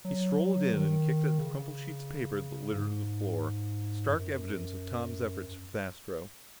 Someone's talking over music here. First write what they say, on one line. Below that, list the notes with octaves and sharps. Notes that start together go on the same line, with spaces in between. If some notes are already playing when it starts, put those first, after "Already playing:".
He strolled in and kicked at the crumpled sheets of paper that littered the floor, stark evidence of Tom's efforts with Astro.
F#3
D#3
C#3
G#2
F#2